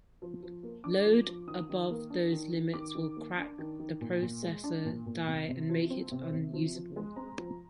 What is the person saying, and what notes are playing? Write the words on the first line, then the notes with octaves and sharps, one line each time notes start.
Load above those limits will crack the processor die and make it unusable.
F3
F3
A#3
D4 D6
F3
F3
D#3 D#6
D#3
A#3
D4
D#3
D#3
D#3 D6
D#3
A#3
D4
D#3
D#3
A#2
A#2
G#3
D4
A#2
A#2
C3
C3
F3
C4
C3
C3
F3
F3
G#3
C4 A#5
F3